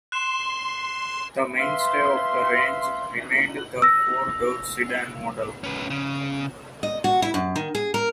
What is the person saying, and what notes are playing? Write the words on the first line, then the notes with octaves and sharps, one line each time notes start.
The mainstay of the range remained the four-door sedan model.
C6 F#6 E7
B4 E5 F5 C6
E6 A#6
C#4 B4
C#3
D#5
F#4
E4
F#2
D#3
G#4
A#4